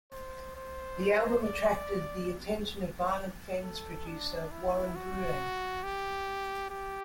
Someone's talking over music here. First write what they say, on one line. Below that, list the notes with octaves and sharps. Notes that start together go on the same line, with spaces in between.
The album attracted the attention of Violent Femmes producer, Warren Bruleigh.
C5
C5
D5
A4
D4
E4
F#4
G4
G4